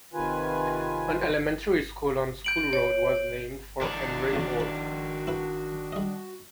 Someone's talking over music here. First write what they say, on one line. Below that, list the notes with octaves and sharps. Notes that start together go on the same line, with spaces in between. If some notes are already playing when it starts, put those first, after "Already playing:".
An elementary school on School Road was named for Henry Holt.
C3 D#3 F4 B4 G#5
G6 D7 F#7
C#5
D#3 D4 A#4 C#5
E2 C#3 F#4
B4
E4 B4
G3 D#5